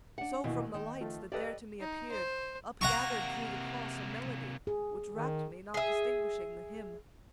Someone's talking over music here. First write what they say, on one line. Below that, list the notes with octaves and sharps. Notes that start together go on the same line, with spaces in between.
So from the lights that there to me appeared Upgathered through the cross a melody, Which rapt me, not distinguishing the hymn.
D4 F#5
D#2 B2 E3
D#3
F3 A3
G4 A4 B4 D5 D#5
D#4
C5
C3 A#3 F#5 A#5 C#6
G#4
D#3
G#4 E5